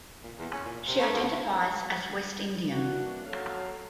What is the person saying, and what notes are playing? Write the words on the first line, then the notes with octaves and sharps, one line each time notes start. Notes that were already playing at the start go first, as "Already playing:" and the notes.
She identifies as West Indian.
A#2
E2
C#4
A#2
C3
A3
D2
E3 A#3 D4 F#4
F#3 A4 C#5 F5